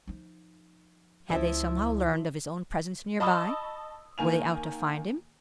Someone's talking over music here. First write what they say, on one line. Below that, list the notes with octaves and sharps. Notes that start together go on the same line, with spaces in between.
Had they somehow learned of his own presence nearby, were they out to find him?
F3 D#4
C#2 F3 E4 E5
D#5 A5 B5 C#6 D#6 E6
D#3 A#3 G#5 F7